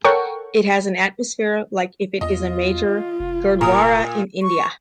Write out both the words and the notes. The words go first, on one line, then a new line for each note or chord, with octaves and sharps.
It has an atmosphere like if it is a major Gurdwara in India.
A4 A#4 C#5 F#5 G5 C#6
E2 F4 D#5
F1
A#2 A#4 D#6
C#6